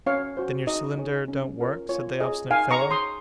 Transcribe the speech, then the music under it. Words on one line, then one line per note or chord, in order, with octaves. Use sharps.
"Then your cylinder don't work," said the obstinate fellow.
C#4 C#5 F5
F#4 C5
D#4 D#5
G#4 C#5
C#4
F4 A#4 C#5
F4 C#5
G#4 C#5 D#5
D#4 F5 G#5
A#5 C#6
G#4 C#5
C6 D#6